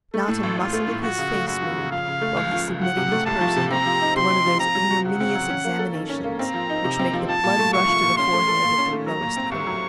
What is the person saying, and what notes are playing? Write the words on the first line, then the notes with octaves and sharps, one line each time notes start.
Not a muscle of his face moved while he submitted his person to one of those ignominous examinations which make the blood rush to the forehead of the lowest criminal.
A3 A4
A2
A1
A1 F4
A3
A2
F3 F#4
C#3
A3
F#2 F#4
F3
C#3
F3 F5
C#3
A3
C#2
F3
C#3
F3 F#5
C3
A3
C2 A5
F3
C3
C4 A#5
F3
D#4
C3 C6
C4
F3
C4 A#5
F#3
F#4
C#3 F#5
C4
F#3
C#4
A#3
A4
D#3
C#4
A#3
C4 A#5
F3
D#4
C3
C4
F3
F3 A5
A#2
A3
C2 C#6
F3
A#2
C#4 C6
A3
A4
A#2
C#4
A3
F#3 A#5
A#2
C4
C2 C#6
F#3